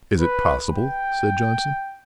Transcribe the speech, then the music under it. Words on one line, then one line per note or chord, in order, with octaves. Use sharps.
"Is it possible?" said Johnson.
B4
G5